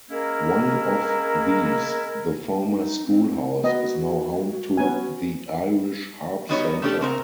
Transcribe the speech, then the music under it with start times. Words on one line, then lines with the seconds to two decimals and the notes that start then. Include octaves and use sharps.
One of these, the former schoolhouse, is now home to the Irish Harp Centre.
0.10 G#3 A#3 C#4 E4 A#4
2.72 D#4
3.05 C4
3.64 B3 F#4 D#5
4.77 B3 C#4 G#5
6.49 F#3 G3 B3 D#4 G4 C#5
6.82 A3 B3 C#4 D4 G4 A4
7.01 C#3 C4 A#4